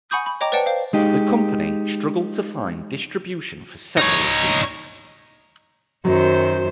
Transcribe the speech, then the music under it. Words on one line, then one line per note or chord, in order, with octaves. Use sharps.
The company struggled to find distribution for several of these.
F#5 G#5 B5 C#6 D#6 G6
B5
C#5 D#5 G5 A#5 D6
B4 C5 D5 F#5 G5 A5
C5 F5
G#3 D#4 G4
D#4 C#5
F#2 D#3 F#3 C5